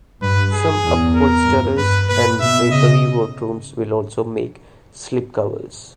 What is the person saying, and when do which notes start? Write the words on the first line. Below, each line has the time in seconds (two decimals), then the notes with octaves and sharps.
Some upholsterers and drapery workrooms will also make slipcovers.
0.22 G2 B4
0.53 G#4
0.84 E2
1.15 A#4
1.46 G2
1.78 G2 B4
2.09 A#2 B4
2.40 B2 E5
2.71 C#3 D#5